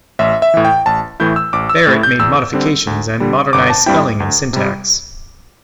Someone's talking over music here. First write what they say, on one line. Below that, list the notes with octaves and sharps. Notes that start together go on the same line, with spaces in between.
Barrett made modifications and modernized spelling and syntax.
A1 E5
E5
A2 E3
G5
A1 A5
A2 E3 A3 E4 G6
E6
A1 D6
E6
A2 A3 E4 A6
G6
E2 E6
D3 G3 C4
D2
D3 G3
G1 D6
A5
G2 G3 C4 E4 G5
D2
C3 G3